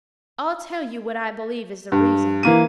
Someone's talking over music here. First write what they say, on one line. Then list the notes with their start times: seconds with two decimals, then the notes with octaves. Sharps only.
I'll tell you what I believe is the reason.
1.92 G2
2.43 E3 A#3 D#7